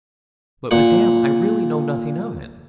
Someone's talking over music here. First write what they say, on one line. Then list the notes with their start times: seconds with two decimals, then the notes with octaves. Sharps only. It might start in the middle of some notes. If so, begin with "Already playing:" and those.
'But, Madame, I really know nothing of it.
0.71 A#2 F#5